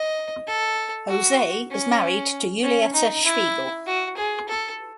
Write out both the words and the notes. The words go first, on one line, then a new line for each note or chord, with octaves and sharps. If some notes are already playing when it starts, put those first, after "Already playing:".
Jose is married to Julieta Spiegel.
Already playing: D#5
A4
F#4
C#4
C#4
D#4
E4
F#4
G#4
A4